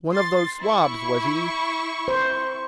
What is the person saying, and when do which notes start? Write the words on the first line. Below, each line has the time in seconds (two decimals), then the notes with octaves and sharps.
One of those swabs, was he?
0.13 C6 A6
0.59 E4 C#6
2.08 C5